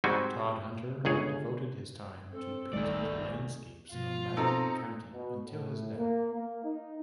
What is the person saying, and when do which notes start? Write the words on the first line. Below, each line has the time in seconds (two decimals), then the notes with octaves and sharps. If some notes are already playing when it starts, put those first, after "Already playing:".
Todhunter devoted his time to painting the landscapes of Marin County until his death.
0.04 G#2 G3 C4 F#4 G#5
1.05 G1 C#2 G#4 C#5
2.32 C4 A4
2.73 F#1 C2 D#3 G3 A3 G#4 D5
3.92 G2 B2 F3 F4
4.37 C4 D#4 A4 A#5
5.13 B2
5.45 A2
5.97 A#3
6.34 A#3
6.64 D#4